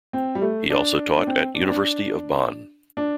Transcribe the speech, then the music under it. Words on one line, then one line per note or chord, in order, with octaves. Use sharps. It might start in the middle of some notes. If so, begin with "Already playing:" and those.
He also taught at University of Bonn.
C4
G3
A3
D4
D4
C4
D4
C4
D4
D4